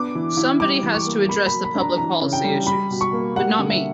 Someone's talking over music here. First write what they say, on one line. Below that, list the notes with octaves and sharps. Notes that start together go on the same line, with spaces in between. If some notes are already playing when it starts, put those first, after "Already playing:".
Somebody has to address the public policy issues - but not me.
Already playing: B3 D4 D6
E3
E4
G3 D6
E3
C#6
A#3
A#3 B5
B5
F#3
B5
D4
A#5
E3 A#5
C#3
G5
G3
G3 B5
B2
C#6
A#3
G3 F#5
D3
E5